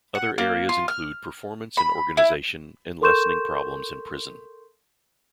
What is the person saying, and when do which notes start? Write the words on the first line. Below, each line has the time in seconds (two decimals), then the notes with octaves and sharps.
Other areas include performance in organization and lessening problems in prison.
0.15 F#5
0.38 A#3
0.69 F4
0.88 F6
1.77 B5
2.17 E4
3.02 A4 A#4 C6 C#6 G6 E7